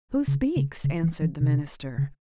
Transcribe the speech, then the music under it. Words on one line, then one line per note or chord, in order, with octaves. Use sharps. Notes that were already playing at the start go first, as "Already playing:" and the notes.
"Who speaks?" answered the minister.
C#3
C#3
C#3
E3
E3
C3
C#3